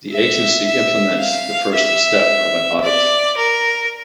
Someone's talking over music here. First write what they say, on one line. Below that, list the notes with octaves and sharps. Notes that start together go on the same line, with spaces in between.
The agency implements the first step of an audit.
E5
E5
F5
E5
D5
A#4